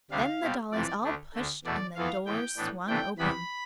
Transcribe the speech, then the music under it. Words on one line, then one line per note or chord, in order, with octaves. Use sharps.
Then the dollies all pushed and the door swung open.
D2 C3 G3 D4 F5
B2 G3 C4
F2 C3 E3 D5
D2 D3 A3 D4
D2 D3 A3
E2 B2 A3 D5
F2 E3 B3 F5
A2 E3 B3 G5
A2 E3 B3 D4
C3 E3 A3 D4 G5
E2 C3 E3 G3 B3 B5